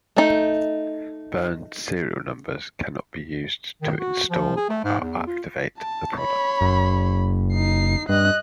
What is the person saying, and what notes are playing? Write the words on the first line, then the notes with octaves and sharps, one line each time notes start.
Burned serial numbers cannot be used to install or activate the product.
A3 D#4
D#3
F#4
F3
G#4
A3
G#2
E2
F4
A5
C#5 B5
F#1
D#4 C7
G2 D#5 F#6